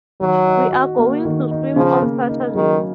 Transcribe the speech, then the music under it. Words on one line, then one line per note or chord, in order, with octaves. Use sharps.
We are going to swim on Saturday.
D#3 F#3
D#4
F#4
A#3
D#3
D#4
C#3 F3
A#3
D#4
D#3 F#3